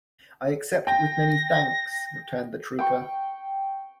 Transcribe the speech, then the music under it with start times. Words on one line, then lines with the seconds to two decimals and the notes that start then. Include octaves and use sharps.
"I accept it with many thanks," returned the trooper.
0.87 G5 A#6
2.79 G5 C#6